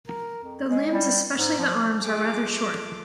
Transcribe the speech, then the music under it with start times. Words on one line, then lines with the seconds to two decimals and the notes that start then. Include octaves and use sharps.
The limbs, especially the arms, are rather short.
0.07 A#4
0.43 F2
0.71 G#3
0.93 G3
1.37 G#2
1.59 F3
2.05 G#3 A3 F4 D6